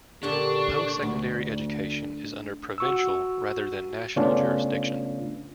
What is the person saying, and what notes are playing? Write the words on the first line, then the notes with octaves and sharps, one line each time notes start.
Post-secondary education is under provincial, rather than national, jurisdiction.
A#2 D3 D4 G4 F#5 C#6
D2
F#4 C#6 E6
C#3 A3 B3 C#4 D4 F4